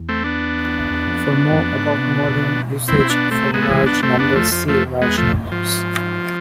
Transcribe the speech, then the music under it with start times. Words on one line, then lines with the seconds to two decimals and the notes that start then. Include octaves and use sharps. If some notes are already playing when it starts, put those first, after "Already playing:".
For more about modern usage for large numbers see Large numbers.
Already playing: E2
0.09 A3 C4
0.24 B3 D4
0.90 E2
1.07 F2
1.52 G#2
1.56 F2
1.73 G#2
1.89 A2
1.98 C3
2.06 B2
2.22 B2
2.88 C4 E4
3.00 E4
3.10 B3 D4
3.31 A3 C4
3.54 A2 G#3 B3
3.62 A3
3.69 E3 G#3
3.86 G#2 B3 D4
3.94 F2
4.01 G#2 A3 C4
4.19 F2 B3 D4
4.33 E2 F3 A3
4.45 F2
4.52 F3
4.68 F3 A3
4.86 E2
5.02 G#3 B3
5.08 E2
5.17 F3 A3
5.29 F2
5.45 F2
5.50 G#2 F3